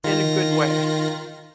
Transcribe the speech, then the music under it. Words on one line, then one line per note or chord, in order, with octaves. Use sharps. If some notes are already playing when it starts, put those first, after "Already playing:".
in a good way,
D#3 F4 A#6